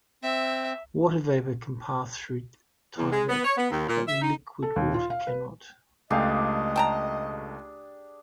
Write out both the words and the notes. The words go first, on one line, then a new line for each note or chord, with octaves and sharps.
Water vapor can pass through Tyvek, but liquid water cannot.
C4 E5
E2
G#3
B3
C#5
B3
D#2
A#2
E5
D#4
A4
D#2
F4
F5
B4
C#2 A3 D4 G4 G#4 D#5 F5
G5 A5 A#5